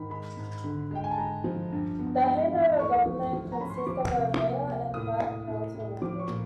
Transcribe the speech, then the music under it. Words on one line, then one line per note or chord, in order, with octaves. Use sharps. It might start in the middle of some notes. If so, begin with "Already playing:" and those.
The Hanover government consists of a mayor and five council members.
Already playing: G#2 D#3 B5
G#3 B5
G#2
D3
G#3 G5
G#5
A5
G#3 A#5
F3
G2
B3
G#3 B5
E3
A3 C#6
F3
F3
A#5
C#4 B5
C6
C#6
F3 D6
C3
A#3
A#3
A2 D#6
A2
A2
A2
F3 D6
C#6
A#2